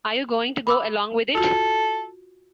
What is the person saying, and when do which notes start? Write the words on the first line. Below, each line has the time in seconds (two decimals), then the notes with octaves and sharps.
Are you going to go along with it?
0.67 B5 D6 E6
1.35 F4 F#4 A4